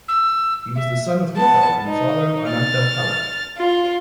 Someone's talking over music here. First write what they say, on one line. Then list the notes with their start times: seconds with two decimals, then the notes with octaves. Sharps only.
He was the son of Hutpal and the father of Anandapala.
0.08 E6
0.75 E5
1.36 B3 A5
1.86 D#4
2.52 F6 A6
3.57 F4